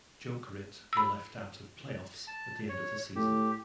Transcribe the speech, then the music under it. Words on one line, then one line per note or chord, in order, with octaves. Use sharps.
Jokerit were left out of Play Offs at the end of the season.
B5 E6
A5
C#5
A2 G4